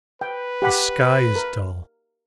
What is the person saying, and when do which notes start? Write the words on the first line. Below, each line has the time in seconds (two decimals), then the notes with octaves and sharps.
The sky is dull.
0.21 B4 G5
0.62 G4 F#5 B5
1.36 A#4